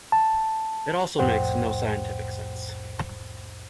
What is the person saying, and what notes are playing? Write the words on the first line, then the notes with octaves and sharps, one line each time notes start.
It also makes no scientific sense.
A5
C2 F2 A2 C5 F#5 G5